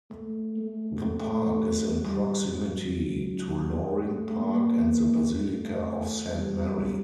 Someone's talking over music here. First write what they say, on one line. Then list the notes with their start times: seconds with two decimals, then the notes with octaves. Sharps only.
The park is in proximity to Loring Park and the Basilica of Saint Mary.
0.11 A3
0.57 A3
1.05 A3
2.01 G3
2.48 F#3
3.93 A3
4.40 A#3
5.36 A3
6.30 G3